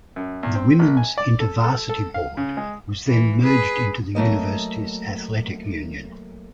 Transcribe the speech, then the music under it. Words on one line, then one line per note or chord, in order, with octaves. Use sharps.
The Women's Inter-Varsity Board was then merged into the Universities Athletic Union.
F#2
E2
C4
A#1
G#5
D5
A4
A4
A4
F5
C#3
G#3
E3
G#4 B4
F#3 A3 A#3 D#5